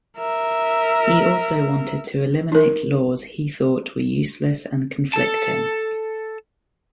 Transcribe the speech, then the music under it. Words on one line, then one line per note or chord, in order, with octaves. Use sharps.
He also wanted to eliminate laws he thought were useless and conflicting.
A#4 E5
D#4 A#4
A4 A5